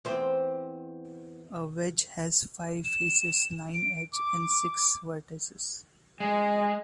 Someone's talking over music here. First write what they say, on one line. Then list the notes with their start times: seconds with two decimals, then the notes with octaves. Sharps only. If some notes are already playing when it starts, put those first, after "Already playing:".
A wedge has five faces, nine edges, and six vertices.
0.05 E2 C4
2.84 E7
3.74 D7
4.12 D6
6.20 G#3 D#5 G#5